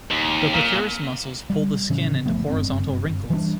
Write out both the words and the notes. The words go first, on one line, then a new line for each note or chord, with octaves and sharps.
The procerus muscles pull the skin into horizontal wrinkles.
D#2
A#2
G3
A2 C#3 E3 C#4
F#1 F3 A3 B3
F#1 G2 C4
E3 G3 A3 D4